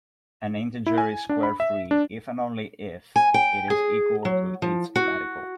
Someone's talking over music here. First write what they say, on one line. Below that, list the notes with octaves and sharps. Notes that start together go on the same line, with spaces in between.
An integer is square-free if and only if it is equal to its radical.
E4
G#5
D4
B5
E5
D4
G#5
G5
G#4
F#3
F3
F#4